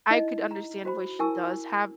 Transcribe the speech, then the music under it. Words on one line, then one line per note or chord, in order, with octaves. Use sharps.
I could understand why she does have
D#4 E4 D#5
A#5
F#4 C5 B5
E4 A#4 G#5 A5 C#6 E6